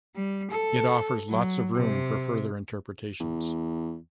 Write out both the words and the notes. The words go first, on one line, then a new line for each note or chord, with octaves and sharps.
It offers lots of room for further interpretations.
G3
A4
F#3
C3
E2